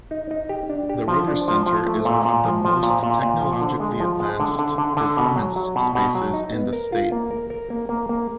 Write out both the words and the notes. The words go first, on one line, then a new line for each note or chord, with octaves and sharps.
The RiverCenter is one of the most technologically advanced performance spaces in the state.
D#4
D#4
G4
D4
G4
F3
D4
F3
F3
A3
A#2
A#2
F3
F3
A#2
A#2
A#2
F3
D3
G#3
F3
G#3
D3
D3
D3
D3
B2
F#3
F#3
B2
B2
F#3
D#4
B3
A#4
F4
A#3
A#4
A#4
A#3
A#3
A#3